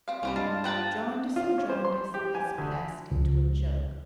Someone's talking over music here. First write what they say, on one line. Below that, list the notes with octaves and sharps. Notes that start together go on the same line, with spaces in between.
Jarndyce and Jarndyce has passed into a joke.
C4 F5
C2 G3 C4 C#4
G2 G#3 F5 A5
F3 G5 A5 A#5 F#6 A6
F4
C#4
C5
C6
G4
G#5
D2
C#2